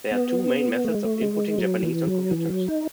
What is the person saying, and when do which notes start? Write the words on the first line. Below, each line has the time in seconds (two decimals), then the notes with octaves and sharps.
There are two main methods of inputting Japanese on computers.
0.12 B3
0.85 A3
0.95 G#3
1.04 A3
1.22 G#3
1.58 F#3
1.83 E3
2.07 F#3
2.31 E3
2.49 F#3
2.68 D#4